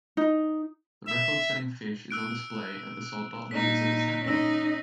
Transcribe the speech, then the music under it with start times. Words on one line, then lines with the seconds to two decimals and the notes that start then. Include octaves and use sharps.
The record-setting fish is on display at the Soldotna Visitor Center.
0.17 D#4
1.07 E5
2.11 E6 F#6 D7
3.51 A#2 D#4 B6
4.25 C#4 D#4 E6 A#6